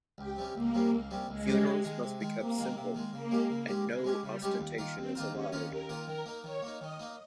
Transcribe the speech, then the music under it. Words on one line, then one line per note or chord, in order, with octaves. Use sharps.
Funerals must be kept simple, and no ostentation is allowed.
C#2 G4
C3 G3 C#4
C#2 A#3
C3 G3 C#4
C#2
C3 G3 C#4
C#2 G#3
C3 G3 C#4
C3
D#3 G#3
C3
D#3 G#3
C3 A#3
D#3 G#3
C3
D#3 G#3
C#3 A#3
G#3 C#4 G4
C#3
G#3 C#4 G4
C#3 G#3
G#3 C#4 G4
C#3 G3
G#3 C#4 G4
D#2
D#3 A#3 F4 A#4
D#2 C4
D#3 A#3 F4 A#4
D#2 C#4
D#3 A#3 F4 A#4
D#2 A#4
D#3 A#3 F4 A#4
D#3 A#4
A#3 D#4
D#3 C#5
A#3 D#4
D#3 D#5
A#3 D#4